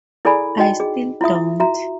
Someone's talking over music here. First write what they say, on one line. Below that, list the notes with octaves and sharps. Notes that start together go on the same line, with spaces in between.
I still don't.
E4 G#4 A4 D5 G#5 B5
D#4 F#4 D#5 G5
G#4
E4 F4 E5 D#6
E4
F#4 E5 A#5